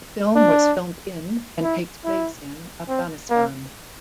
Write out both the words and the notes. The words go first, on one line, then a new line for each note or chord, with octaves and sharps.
The film was filmed in and takes place in Afghanistan.
D4
E4
E4
C4
A#3